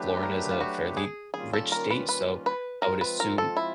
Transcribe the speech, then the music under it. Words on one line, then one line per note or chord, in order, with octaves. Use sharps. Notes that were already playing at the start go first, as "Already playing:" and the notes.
Florida is a fairly rich state, so I would assume
Already playing: F#3 A3 D4 G4 B4
A#4
F4
F#4
G#4
D#3 G3 A#3 C#4 F4 G#4
A4
A#4
B4
B4
B4
F3 G#3 C4 F4 A#4
B4
A#4
A4
E4